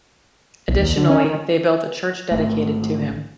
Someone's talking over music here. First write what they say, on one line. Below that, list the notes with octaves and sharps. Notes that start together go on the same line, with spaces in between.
Additionally they built a church dedicated to him.
B1
D#2
D3
C#4
D#3
G#1 D#2 A3